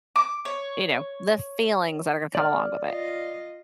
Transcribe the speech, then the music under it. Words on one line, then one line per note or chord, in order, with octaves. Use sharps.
you know, the feelings that are gonna come along with it.
D6
C#5
D5 F6
F4 D#5